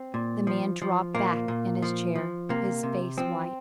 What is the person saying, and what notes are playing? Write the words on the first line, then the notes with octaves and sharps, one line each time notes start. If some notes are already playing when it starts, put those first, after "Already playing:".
The man dropped back in his chair, his face white.
Already playing: C4
A#2
F3
F3
A#2 A#3
A#2
F3
F3
C3 A#3
C3
F3 C4